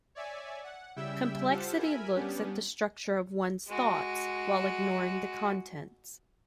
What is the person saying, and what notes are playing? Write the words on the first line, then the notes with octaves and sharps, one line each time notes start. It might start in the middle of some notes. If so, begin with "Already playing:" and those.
Complexity looks at the structure of one's thoughts, while ignoring the contents.
C#5 D5 E5 G#5
F#5
C#3 G3 E4 E5 G5 E6
F4 G4 A4 C5 F#5 A5
A#4 E5 G#5 B5
G3 B3 C#4 D4 G4
G#3 F#4